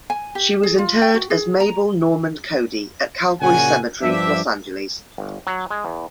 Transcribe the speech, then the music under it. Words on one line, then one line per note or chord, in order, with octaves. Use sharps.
She was interred as Mabel Normand-Cody at Calvary Cemetery, Los Angeles.
G#5
G4
G#4
F4
G5
F#4
G#4
A#5
A#2 C#3 F#4 F#5 G#5
G2 F3 D4 G4 D5 E5
G1
F#3
G#3
E2